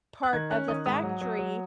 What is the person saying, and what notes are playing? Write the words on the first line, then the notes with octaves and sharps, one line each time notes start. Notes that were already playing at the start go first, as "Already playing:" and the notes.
part of the factory
F#6
D#3 G#6
C#4 F#6
D#3 D#6
G#2 D#6
F#3
F#3
F#3